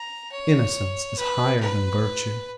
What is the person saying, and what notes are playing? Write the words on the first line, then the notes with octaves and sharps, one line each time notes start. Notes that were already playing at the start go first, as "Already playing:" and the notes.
Innocence is higher than virtue.
Already playing: A#5
C#5
B4
B4